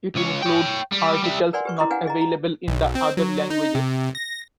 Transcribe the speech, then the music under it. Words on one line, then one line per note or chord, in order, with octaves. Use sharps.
It includes articles not available in the other languages.
C#2 C#5
C#5 G5
G3
G3 E5
A#4 B4 D5 F#5 G#5 C6
G4 B4 C#6
E4 A#5 C6 D6 D#6
D4 B4 F5 F#5 G#5
G#4 D#5 A#5
A#5
B1
C4
F#3
D#4
C3
A#6